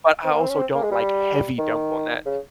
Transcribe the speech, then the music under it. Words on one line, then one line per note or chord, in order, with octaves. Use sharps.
But I also don't like heavy dump on that.
C4
A#3
C4
C#4
C4
A#3
G#3
G3
D#3
C#3